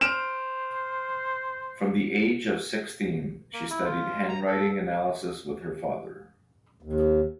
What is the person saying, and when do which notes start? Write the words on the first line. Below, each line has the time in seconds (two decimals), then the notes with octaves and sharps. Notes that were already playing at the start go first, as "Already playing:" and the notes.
From the age of sixteen she studied handwriting analysis with her father.
0.01 C5 F6 D7 E7
3.53 A#3
3.70 E4
3.86 F4
4.29 A#5
4.47 A4
6.83 D#2